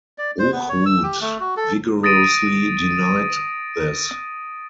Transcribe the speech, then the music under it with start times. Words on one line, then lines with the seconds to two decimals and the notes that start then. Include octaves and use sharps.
Hochhuth vigorously denied this.
0.18 D5
0.39 C5
0.52 B3
0.69 C#5
0.86 E6
1.03 G4
1.21 A3
1.40 F#4
1.57 A4
2.03 D#6 A6 A#6 D7 D#7